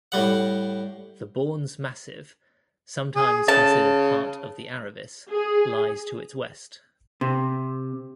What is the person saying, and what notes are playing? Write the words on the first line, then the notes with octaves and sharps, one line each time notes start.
The Bornes massif, sometimes considered part of the Aravis, lies to its west.
A2 G3 F#5
G#4
C#3 A5
G#4
C3